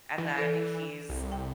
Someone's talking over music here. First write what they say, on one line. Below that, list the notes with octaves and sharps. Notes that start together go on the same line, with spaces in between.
and then he's
E3
E3 A4 C5 D5
C2
G5